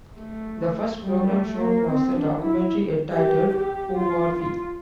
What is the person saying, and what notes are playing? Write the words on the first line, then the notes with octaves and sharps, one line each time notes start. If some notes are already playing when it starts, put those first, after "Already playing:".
The first program shown was a documentary entitled 'Who Are We?
A3
G3
A3
A#3
C4
D4
E4
G4
G4
F4
F4